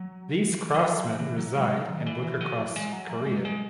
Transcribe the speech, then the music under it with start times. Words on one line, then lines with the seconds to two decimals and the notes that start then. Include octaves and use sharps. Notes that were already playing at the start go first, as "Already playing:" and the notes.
These craftsmen reside and work across Korea.
Already playing: F#3
0.51 E3
0.74 F#3
0.97 E3
1.19 E3
1.38 F#3
1.55 G#3
1.72 F#3
1.89 D#3
2.06 E3
2.24 E3
2.41 F#3
2.59 E3
2.76 G#3
2.93 F#3
3.09 E3
3.26 G#3
3.38 F#3
3.45 G#3